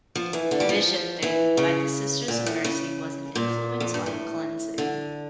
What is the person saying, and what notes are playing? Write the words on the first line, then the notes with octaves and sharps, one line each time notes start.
"Vision Thing" by The Sisters of Mercy was an influence on "Cleansing".
F3
E3
D3
G3
F3
E3
C#3
A#2
A2
C#3
A#2
F2
G2
A2
D3